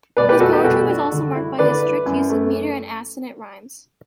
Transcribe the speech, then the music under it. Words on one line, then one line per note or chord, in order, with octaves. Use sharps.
His poetry was also marked by his strict use of meter and assonant rhymes.
B2 B4 D5
G4 B4
B2 F#4 A4
G4
B2 F#4 A4
D4
D3
E4
D3 B4 D5
E4
F#2
A3